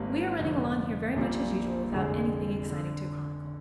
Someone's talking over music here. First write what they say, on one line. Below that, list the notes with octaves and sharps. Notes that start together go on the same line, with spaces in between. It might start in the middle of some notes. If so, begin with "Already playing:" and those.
We are running along here very much as usual without anything exciting to chronicle.
Already playing: G#1 G#2 G3 A#3
F1 F2 D3 F3
A#1 A#2 G3 A#3
F1 F2 D3 G#3
D3